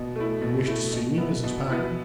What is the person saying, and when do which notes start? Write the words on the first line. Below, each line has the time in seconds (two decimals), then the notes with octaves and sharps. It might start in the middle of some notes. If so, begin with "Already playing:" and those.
"You wish to see me, Mrs. Packard?"
Already playing: B2
0.16 A3 E4
0.41 B2
0.67 A3 E4
0.93 B2
1.18 B3 E4
1.44 B2
1.69 B3 E4